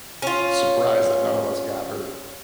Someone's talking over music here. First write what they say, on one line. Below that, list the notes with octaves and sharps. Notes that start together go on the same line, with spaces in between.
surprise that none of us got hurt
C#4 F4